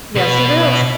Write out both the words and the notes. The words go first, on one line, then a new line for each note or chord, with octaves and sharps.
Yes, it is.
B2 B4